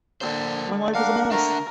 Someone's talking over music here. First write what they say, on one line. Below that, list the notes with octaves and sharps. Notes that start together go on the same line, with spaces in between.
My life is a mess.
D3 A#3 C5
D4 A#4 F5 F#5
D3 A3 D4 A#4 F#5